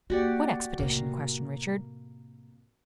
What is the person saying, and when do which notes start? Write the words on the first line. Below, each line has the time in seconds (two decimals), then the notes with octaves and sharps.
"What expedition?" questioned Richard.
0.10 A#3 F#4 G4 D5
0.79 A2 C3 A#3